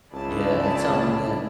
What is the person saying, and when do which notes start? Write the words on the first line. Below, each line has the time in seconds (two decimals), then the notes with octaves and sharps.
Yeah. It's something that
0.14 C#2 E4 G#4 D5 A5